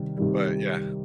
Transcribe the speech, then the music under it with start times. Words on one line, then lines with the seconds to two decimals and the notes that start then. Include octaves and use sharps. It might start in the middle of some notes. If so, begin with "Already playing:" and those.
but, yeah.
Already playing: C3 D#3 G3
0.18 C3 D#3 G3